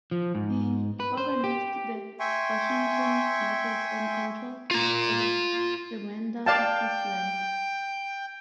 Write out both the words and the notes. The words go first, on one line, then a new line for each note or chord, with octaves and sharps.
He organized the Washington Market and controlled it for the remainder of his life.
F3
G#2
B4
C5
G4
E5 G5 G#5 C6 C#6
F4 A#5
D5 F5 G5 A5